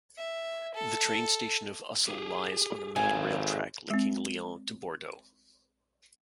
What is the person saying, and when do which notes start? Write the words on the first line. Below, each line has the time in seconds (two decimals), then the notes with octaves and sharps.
The train station of Ussel lies on a main railtrack linking Lyon to Bordeaux.
0.18 E5
0.74 A4
2.08 G4 G#4
2.96 G#1 G#4 A4 F5 G#5
3.90 G#3 C4